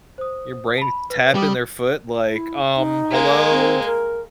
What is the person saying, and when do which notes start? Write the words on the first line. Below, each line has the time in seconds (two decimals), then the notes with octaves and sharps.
Your brain is tapping their foot like, "Um, hello?"
0.18 C5 D#6
0.78 A5 B5
1.10 B4
1.35 G3 G5 D6 D#6
2.30 E4
2.77 D#4
3.11 G#3 A#3
3.51 C4
3.84 A#4